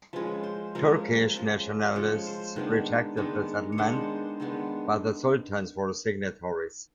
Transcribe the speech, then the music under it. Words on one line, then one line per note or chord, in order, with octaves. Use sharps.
Turkish nationalists rejected the settlement by the Sultan's four signatories.
F3 G#3 C#4 B4
C5
F3 G#3 C#4 A#4
F3 G#3 C#4
F3 G#3 C#4 C#5
C5
D#3 G#3 B3 D4 B4
D#3 G#3 B3 D4
C#5
D#3 G#3 B3 D4 C5
D#3 G#3 B3 D4